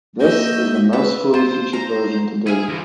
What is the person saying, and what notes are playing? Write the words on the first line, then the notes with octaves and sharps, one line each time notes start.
This is the most fully featured version to date.
A#3 F#4 D#5 E5 G6
B4 E5
F4 C5
A#5
E4 G#4 F5 G#5
E3 F3